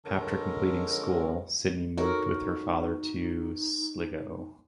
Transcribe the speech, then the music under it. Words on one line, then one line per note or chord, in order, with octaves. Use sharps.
After completing school Sydney moved with her father to Sligo.
F2 D3 G#3 C#4 A4 A#4
D#4 F#4 A4 A#4 C#5